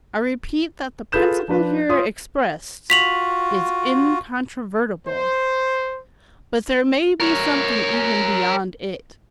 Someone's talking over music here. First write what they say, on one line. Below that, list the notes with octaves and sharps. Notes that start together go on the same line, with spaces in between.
I repeat that the principle here expressed, is incontrovertible; but there may be something even beyond it.
F4 G#4 A4 B4 G6 E7
F3 D4 B4
F4 C#5 C6 D#6
F4 F#4 B6 F7 F#7
C5
A#4 C#5